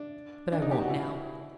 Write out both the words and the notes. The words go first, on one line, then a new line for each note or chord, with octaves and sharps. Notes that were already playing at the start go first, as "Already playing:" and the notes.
But I won't now.
Already playing: D4
D4
D#4
G4
F#4
E4